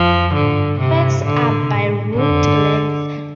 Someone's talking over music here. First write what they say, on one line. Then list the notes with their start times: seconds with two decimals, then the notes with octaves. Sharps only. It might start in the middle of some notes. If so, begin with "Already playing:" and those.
Fares are by route length.
Already playing: F2 F3
0.34 G2 D3
0.43 A2
0.53 G2
0.79 C3
1.24 A2 D3
1.37 C3
1.50 A2
1.62 C3
1.75 A2
2.15 A2 D3
2.31 F2
2.45 G2